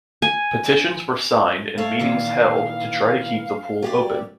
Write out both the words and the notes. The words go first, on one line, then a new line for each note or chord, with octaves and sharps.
Petitions were signed and meetings held to try to keep the pool open.
G#5
A3 A4 C#5 F5
A#2 D#3 E3
F#3 G4 D5